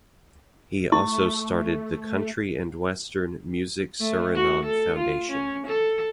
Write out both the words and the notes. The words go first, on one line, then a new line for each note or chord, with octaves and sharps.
He also started the Country and Western Music Suriname foundation.
A3 E4 C#6
A3
F#4
A4
F4
C#4
A4